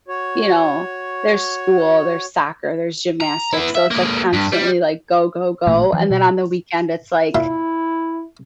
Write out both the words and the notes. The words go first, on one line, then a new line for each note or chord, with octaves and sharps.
you know, there's school, there's soccer, there's gymnastics, so, it's, like, constantly, like, "Go, go, go," and then on the weekend, it's, like,
F#4 C#5
A#5
B3 E4
E5
G#3 A#3
G2
G3
A1 A#2 A3 A#3
E3 F3
B2
A#2 E4 E5 C6